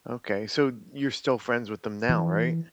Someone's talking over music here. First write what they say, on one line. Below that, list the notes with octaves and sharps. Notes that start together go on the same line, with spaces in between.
Okay, so you're still friends with them now, right?
E3